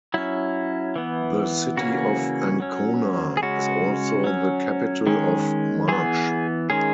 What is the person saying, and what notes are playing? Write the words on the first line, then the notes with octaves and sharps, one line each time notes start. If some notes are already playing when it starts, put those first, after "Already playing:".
The city of Ancona is also the capital of Marche.
F#3 C#4 E4
E3 B3
C#3 E3 A#3 C#4 F#4
F#3 C#4
G#4
C#3 G#3 C#4 F#4
F#3 C#4
D#3 G#3 C#4
E3 B3 G#4
D#3 G#3 C#4 G#4